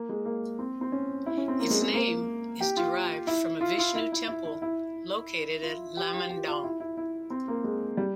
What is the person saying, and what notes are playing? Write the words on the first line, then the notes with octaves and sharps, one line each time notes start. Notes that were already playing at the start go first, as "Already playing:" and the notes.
Its name is derived from a Vishnu Temple located at Lamangdong.
Already playing: A#3
G#3
A#3
C4
C4
C#4
E4
C#4
C4
A#3
G#3
G#3
A#3
G4
F4
E4
F4
F4
E4
E4
E4
E4
E4
F4
G4
F4
G4
F4
E4
E4
E4
C4
A#3
G#3
G3